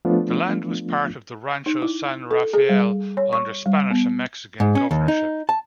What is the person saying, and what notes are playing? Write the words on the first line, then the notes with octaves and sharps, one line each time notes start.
The land was part of the Rancho San Rafael under Spanish and Mexican governorship.
F3 A3 B3 D4 F4
D#4
E4
A4
G#4
G3
C#5
C#6
G3
B3
G#2
C#4
D#2
D#4
A5